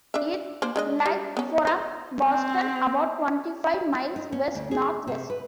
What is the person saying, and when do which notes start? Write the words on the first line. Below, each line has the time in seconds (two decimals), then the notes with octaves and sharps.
It lieth from Boston about twenty-five miles west north west.
0.14 D4 E5
0.62 A#3 D4 C5
0.76 G#3 D4 D#5
1.06 G3
1.37 B3 C#4
1.67 C5
2.22 C4
4.16 D#4
4.32 C#4
4.55 D2
4.71 G#4
5.08 C3
5.30 B4